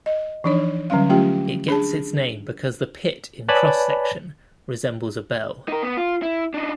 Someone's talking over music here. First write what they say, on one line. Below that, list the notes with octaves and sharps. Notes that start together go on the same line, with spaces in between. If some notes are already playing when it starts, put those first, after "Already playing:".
It gets its name because the pit in cross section resembles a bell.
D#5
E3 F3 D4 D#4 C#5
D3 F#3 G3 C#4 F5
F#3 A3 C#4 F4 G4 G5
D4 G#4 A5
B4 C#5 D5 G#5 A5 B5
D#4 A#4
B3
F4
E4
D4 D#4